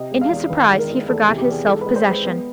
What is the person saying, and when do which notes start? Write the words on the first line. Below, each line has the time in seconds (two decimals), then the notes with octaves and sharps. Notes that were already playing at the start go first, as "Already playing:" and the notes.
In his surprise he forgot his self-possession.
Already playing: C3 D#5
0.11 G#3
0.21 F5
0.31 E2
0.50 D#3 B4
0.70 G#3
0.79 A#4
0.90 G#3
1.08 E2 A4
1.23 G#4
1.28 C3
1.38 G4
1.47 E2 G#4
1.66 G#3 A4
1.81 G#3 B4
1.96 C5
2.05 G#3 B4
2.24 B3